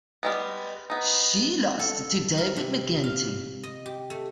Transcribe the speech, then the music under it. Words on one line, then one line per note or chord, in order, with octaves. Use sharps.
She lost to David McGuinty.
G3 G#3 B3
B3 D#4
A4
A#4
C3
F5
D#5
G4
A3